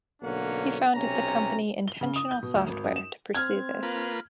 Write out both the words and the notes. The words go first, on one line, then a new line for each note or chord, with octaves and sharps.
He founded the company Intentional Software to pursue this.
B1 D3 A#3 C#4 F#5
B1 C3 C#4 A#5
G7
C#3
D#6
G6
B2
D2
G#1
F#2
E7
C4 F6 G#6
A#3 F4 B4